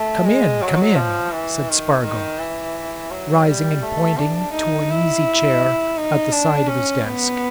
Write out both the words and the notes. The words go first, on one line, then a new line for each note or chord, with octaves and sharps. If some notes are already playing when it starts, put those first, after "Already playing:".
"Come in, come in!" said Spargo, rising and pointing to an easy-chair at the side of his desk.
Already playing: A3
G#3
F#3
F3
E3
D#3
D#3
E3
F#3
G3
A3
D4
D#4
E4
D#4
D4
C#4
B3